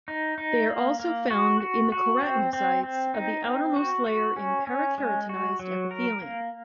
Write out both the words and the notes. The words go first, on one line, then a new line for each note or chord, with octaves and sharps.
They are also found in the keratinocytes of the outermost layer in parakeratinised epithelium.
D#4
D#4
A#3
A#3
F#4
F#4
F#4
C4
C4
C4
D#4
C4
F#4
F#4
C#4
C#4
G#3
F#4
F#3
A#4
A#3